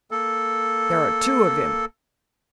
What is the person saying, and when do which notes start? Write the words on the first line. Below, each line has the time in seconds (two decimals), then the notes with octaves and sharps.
There are two of him.'
0.11 A#3 A4